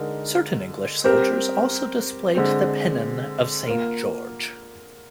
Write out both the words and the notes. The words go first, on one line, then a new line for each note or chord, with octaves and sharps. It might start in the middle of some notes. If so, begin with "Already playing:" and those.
Certain English soldiers also displayed the pennon of Saint George.
Already playing: D3 G#3 D#4 A#4
G3 C4 G4 A#4
D3 G#3 C4
A#3 F4 A#4